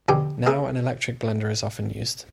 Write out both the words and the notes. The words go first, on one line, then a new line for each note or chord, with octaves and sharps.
Now an electric blender is often used.
F2 B2 D3 G4 G#5 D6
A#3 G#4 E5